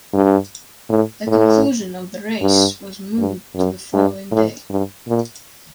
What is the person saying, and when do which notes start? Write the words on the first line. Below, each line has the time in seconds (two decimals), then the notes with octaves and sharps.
The conclusion of the race was moved to the following day.
0.13 G2
0.89 A2
1.27 A2
2.41 G2
3.18 G2
3.55 F#2
3.93 G2
4.31 A2
4.70 G2
5.07 A#2